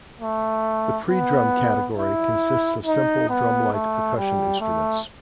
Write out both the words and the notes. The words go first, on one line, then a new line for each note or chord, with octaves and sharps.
The predrum category consists of simple drum-like percussion instruments.
A3
B3
E4
D#4
B3
A3
G3
A3